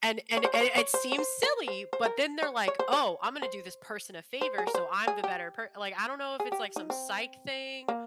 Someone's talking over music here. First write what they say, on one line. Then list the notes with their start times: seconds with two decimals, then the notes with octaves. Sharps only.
And and a and it seems silly, but then they're like, "Oh, I'm gonna do this person a favor so I'm the better per" like, I don't know if it's like some psych thing
0.37 C#5
0.45 C5
0.54 C#5
0.61 C5
0.78 C#5
0.94 C5
1.12 C#5
1.18 C5
1.43 A#4
1.68 C5
1.93 C5
2.05 A#4
2.42 C#5
2.68 C#5
2.79 C5
2.93 C#5
3.42 C5
4.41 C5
4.58 G#4
4.67 A#4
4.74 C5
5.07 G#4
5.24 G4
6.40 G#4
6.52 G4
6.76 D#4
6.90 C4
7.88 A#3